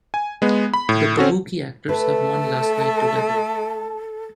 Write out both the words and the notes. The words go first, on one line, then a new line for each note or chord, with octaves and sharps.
The kabuki actors have one last night together.
G#5
G#3 B3
B5
A2
C4 C#4 F#4 A4
A3 A4 B4 A5